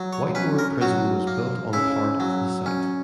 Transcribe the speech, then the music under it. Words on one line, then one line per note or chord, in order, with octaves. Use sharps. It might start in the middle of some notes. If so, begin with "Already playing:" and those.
Whitemoor prison was built on part of the site.
Already playing: F#3
C#5
C#4 B4
A#4
F#3 F#4
A#3
C#3 E4
F#3
C#4